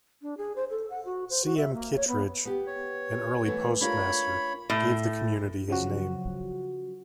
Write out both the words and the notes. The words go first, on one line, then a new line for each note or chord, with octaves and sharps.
C. M. Kittredge, an early postmaster, gave the community his name.
D4
G#4
C5
A4
F#5
F#4
C5
F#4
E5
A#3
C#5
B3
B3 G4
C#5
E3 A3 B3
D4 F4 A#4 C#5 B5
A2
C#3 F3 F#3 F#4